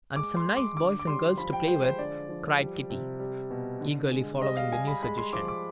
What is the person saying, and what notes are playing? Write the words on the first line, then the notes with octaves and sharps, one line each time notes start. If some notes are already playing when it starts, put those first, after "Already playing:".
"And some nice boys and girls to play with," cried Kitty, eagerly following the new suggestion.
G#3 D6
C6
G#3
D6
D3 D6
D6
G3 C6
F3 B5
G5
G#3 C5
C5
D3 D5
F3
G3
C3
G3
B2
D3
G#3
G3 D#5
F5
G3 G#5
B5
G#3 B5
C6
F3 D6
D6